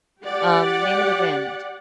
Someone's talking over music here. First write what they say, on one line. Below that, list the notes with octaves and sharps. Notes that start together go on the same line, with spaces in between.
Um, Name of the Wind.
G4 D5 F#5